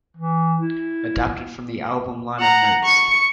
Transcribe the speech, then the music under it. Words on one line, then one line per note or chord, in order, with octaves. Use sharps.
Adapted from the album liner notes.
E3
E4
F#5 A#5
C#6 C#7